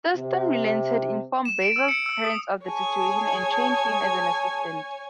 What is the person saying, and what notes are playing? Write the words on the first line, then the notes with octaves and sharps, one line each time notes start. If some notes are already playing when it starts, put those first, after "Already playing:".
Thurston relented, informed Besser's parents of the situation, and trained him as an assistant.
C3
E7
D7
E6
C#7
E6
D#6
G#4 C#5 G#5 A5